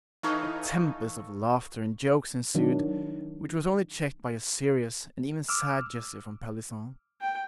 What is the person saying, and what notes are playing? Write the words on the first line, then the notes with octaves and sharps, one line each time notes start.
A tempest of laughter and jokes ensued, which was only checked by a serious and even sad gesture from Pelisson.
E3 D#4 A4 C#5 F5
D#3 F#3 D4
D6 E6 F6
G5